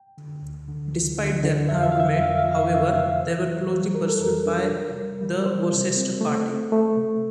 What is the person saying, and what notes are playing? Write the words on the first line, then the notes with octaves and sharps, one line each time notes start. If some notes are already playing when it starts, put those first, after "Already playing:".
Despite their agreement, however, they were closely pursued by the Worcester party.
Already playing: G5
D3
D2
D3
D2
D3
D3
F2 E5
F5
E5
F3 F5
E5
F5
E5
F2 F5
E5
F5
F3 E5
F5
E5
F2 F5
E5
F5
C3 E5
F5
E5
E3 C5
E3
G3
G3 A#4
A4
F2 A#4
D4
C3
G3
G3
G3 C5
C3
C4
A3
C4
A3
C3